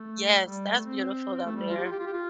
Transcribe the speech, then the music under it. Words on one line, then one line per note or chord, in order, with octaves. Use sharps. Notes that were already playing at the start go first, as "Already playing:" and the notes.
Yes, that's beautiful down there.
Already playing: A3
G3
A3
C4
A3
G3
F4
G4
F4
G4
F4
G4
F4